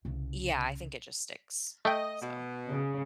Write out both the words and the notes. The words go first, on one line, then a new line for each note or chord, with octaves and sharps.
Yeah, I think it just sticks, so
C2 C#3
A3 D#5 G5
B2
C#3